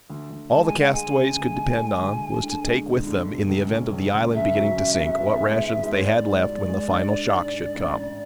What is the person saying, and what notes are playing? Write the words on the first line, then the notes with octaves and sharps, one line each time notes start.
All the castaways could depend on, was to take with them, in the event of the island beginning to sink, what rations they had left when the final shock should come.
D2
D2
G#3 A5
G#5
G#3
F#5
G#3 G#5
C#3
D2
G#3
G#3
D2
G#3
D3
G#3
E1
D3
E1
C#2
C#4
C#2
C#2
C#2 E5
F#3
C#4
C#3
B3
G#3
G#2
G#2
C#5
G#3 D5
G#2
G#2
G#3
D4
D4
G#2
D4
A1
G#2